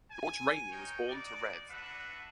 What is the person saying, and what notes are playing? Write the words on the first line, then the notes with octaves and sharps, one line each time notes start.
George Rainy was born to Rev.
G#5
D#4 A#4 C#5 G5
D#4 F#4 D5
D4 F#4 B4 E5 F#5